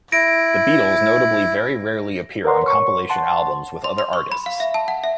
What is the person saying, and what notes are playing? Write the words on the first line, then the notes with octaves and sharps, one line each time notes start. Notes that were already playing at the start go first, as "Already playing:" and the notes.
The Beatles notably very rarely appear on compilation albums with other artists.
E4 A#6 D7
A#4 B4 D5 F#5 A#5 C6
C#5 C#6
F#5 A5 C6
C6
C6
C#6
B5
F5
E5
A5
F#5
E5